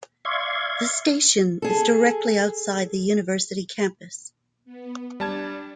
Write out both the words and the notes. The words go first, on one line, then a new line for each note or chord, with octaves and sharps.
The station is directly outside the University campus.
D5 E5 F5 C6 C#6 G#6
G#4 A4
B3
G3 D4 A5 G#6